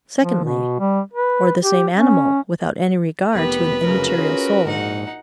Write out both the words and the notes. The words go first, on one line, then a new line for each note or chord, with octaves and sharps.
Secondly, or the same animal, without any regard to an immaterial soul.
F3
B2
G3
B4
G4
C#4
F1 B3 G4 A#4 B4
F#2 C#3 F#4 A#4
C#4 F4 G#4
A#1 G#2 D#4 F#5